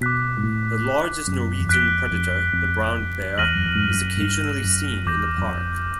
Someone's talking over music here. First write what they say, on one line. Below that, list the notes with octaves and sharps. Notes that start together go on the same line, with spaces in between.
The largest Norwegian predator, the brown bear, is occasionally seen in the park.
B2 D6 F#6 B6
G#2
A2
F#2
E2
F2 F#6 B6 D7 G7
F2
F2
E2 F6 A#6 D#7 F#7
F#2
F2
G#2
G2
F#2
G#2
G2
F#2
E2 D6 G6 A#6
F#2
F2